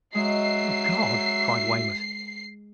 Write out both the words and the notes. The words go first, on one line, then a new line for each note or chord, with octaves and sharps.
"Oh, God!" cried Weymouth.
F#3 G#3 E5 C7